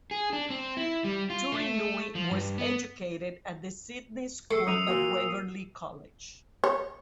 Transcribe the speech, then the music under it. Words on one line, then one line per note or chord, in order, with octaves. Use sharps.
Turinui was educated at the Sydney school of Waverley College.
G#4
D4
C4
E4
G3
F4
A3
F3
G2
B3
A3 E6 C7 C#7
F#2 D#6 D#7 F7
A#2 A#3 F#4 E6
C#5